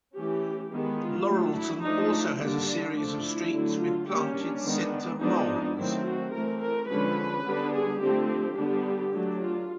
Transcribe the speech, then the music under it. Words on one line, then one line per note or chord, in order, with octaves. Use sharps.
Laurelton also has a series of streets with planted center malls.
E3 A3 C#4 G4
D#3 G#3 B3
F4
F#3 A3 D4
E4
F3 A3 D4 D#4
D3 G3 A#3 D4
D3 F3 A3 D4
E4
D3 F#3 A3
F4
G3 A#3 C#4 G4
D4
D#3 G#3 B3
F3 G#3 B3 D4 D#4
D#3 F#3 A3 C4 E4
F#4
E3 A3 C4 A#4
A#4
D3 F3 G#3 C#4 B4
D3 G3 B3 D4
G#4
D3 F3 A3 C4 G4
G4
D3 G3 B3 D4
F#3 A3 D4
F4